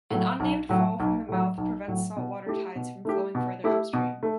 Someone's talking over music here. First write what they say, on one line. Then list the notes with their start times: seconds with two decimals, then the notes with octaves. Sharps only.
An unnamed fall from the mouth prevents saltwater tides from flowing further upstream.
0.11 A2 F#3
0.40 B1
0.69 A2 F#3
1.00 B1
1.29 A2 F#3
1.58 B1
1.88 A2 F#3
2.16 B2
2.46 A3 E4 G4
2.75 B2
3.05 A3 E4 G4
3.35 B2
3.64 A3 E4 G4
3.93 B2
4.23 A3